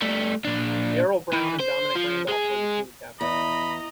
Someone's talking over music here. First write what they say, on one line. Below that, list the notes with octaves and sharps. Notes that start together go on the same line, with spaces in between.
Daryl Brown and Dominic Randolph were the team captains.
G3 A3
A#2 D4
E3
C5
F3
G#3 G#4
E2 D#5 A#5 B5